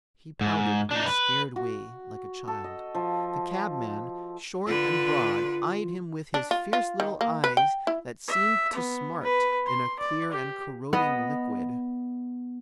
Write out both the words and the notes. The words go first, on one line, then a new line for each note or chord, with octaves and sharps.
He pouted in a scared way like a child. The cabman, short and broad, eyed him with his fierce little eyes that seemed to smart in a clear and corroding liquid.
G#2
D4 D#4
B4
F#4
A4
D#5
F3
D3 F4 B4
D4
F4
F4
D#3
A#3
B4
G5
E4
E5
B3
B4
C6
D5
G4
B3 D#5